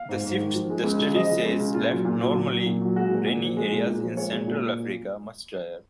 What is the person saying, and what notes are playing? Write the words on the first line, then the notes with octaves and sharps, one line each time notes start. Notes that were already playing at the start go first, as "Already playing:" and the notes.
The shift, the study says, left normally rainy areas in Central Africa much drier.
Already playing: F5
G#2
G#2
D#3
F3
G#3
C#2
C#3
F3 D#5
G#3
C#2
C#3
A#2 F4
F#3
A#2
F#3
A#2
F#3
A#2
F#3
G#3 F#4
A#2
A#2
F3
G#3
A#2
A#2
F3
G#3 C#5
A#2
A#2